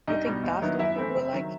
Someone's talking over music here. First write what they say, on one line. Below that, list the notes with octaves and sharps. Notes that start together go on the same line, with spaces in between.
You think that's the one people will like?
C2 D#4 D#5
B2 G3
D#2
D#3 F#3 B3 E4
F#2 E4 E5
E3 A3 C4 E4
F#1
D#3 F#3